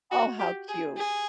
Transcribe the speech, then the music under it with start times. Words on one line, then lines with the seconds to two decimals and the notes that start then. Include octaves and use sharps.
Oh, how cute.
0.11 F#4
0.39 G4
0.68 G#4
0.97 G#4